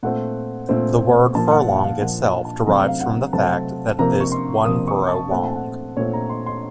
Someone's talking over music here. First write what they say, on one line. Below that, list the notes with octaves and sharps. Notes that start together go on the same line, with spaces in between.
The word "furlong" itself derives from the fact that it is "one furrow long".
A#2 A3 C4 F#5
A#2 A3 C4
A#2 F3 A#3 A5
F#5
F5
F5
A#2 F3 A#3 F#5
F#5
A5
C3 F#3 A3 C4 A#5
F5
F#5
C3 F#3 A3 C4 A5
C3 F3 A#3 A#5
C#6
C6
C3 F3 A#3 D#6
C#6
A5
A#2 A3 C4 F#5
A5
F#5
A#2 A3 C4 C#5
A#5
C6
C6